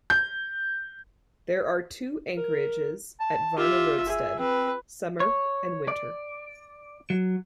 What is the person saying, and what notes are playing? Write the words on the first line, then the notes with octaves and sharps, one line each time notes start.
There are two anchorages at Varna roadstead: summer and winter.
G6
A#4
A5
F4 G4 E5
G#4 E5
C4 B4
C#5
D5
F#3